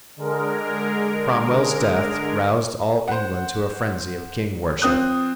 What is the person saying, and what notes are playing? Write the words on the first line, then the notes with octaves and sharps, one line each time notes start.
Cromwell's death roused all England to a frenzy of king-worship.
D3 G#3 A#4
C5 F#5
F3 C4 D#6 F#6